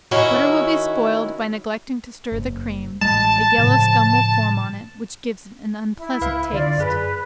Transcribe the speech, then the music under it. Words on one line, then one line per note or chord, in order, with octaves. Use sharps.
Butter will be spoiled by neglecting to stir the cream, a yellow scum will form on it, which gives it an unpleasant taste.
D#3 C#4 E4 F#4
F#1
A1 G3 G#3 A5
A2 C#3 F3
E4
C#2 B4 F5
D3 E4 F4 D5
F#2 G#4 B4